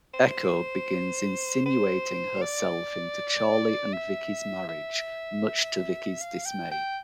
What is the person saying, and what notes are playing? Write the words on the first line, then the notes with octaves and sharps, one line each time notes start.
Echo begins insinuating herself into Charlie and Viki's marriage, much to Viki's dismay.
C5
C5
D5
E5
E5
F5
G5
G5